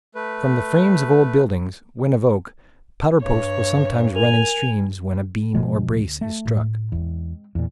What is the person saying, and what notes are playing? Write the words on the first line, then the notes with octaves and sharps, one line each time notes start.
From the frames of old buildings, when of oak, powder-post will sometimes run in streams when a beam or brace is struck.
A3 B4
G2 C#5
A#4 G#5 F7
D2 B2 F3 G#3 B3
A3
A2
E2 G#3 C4
E2 A#2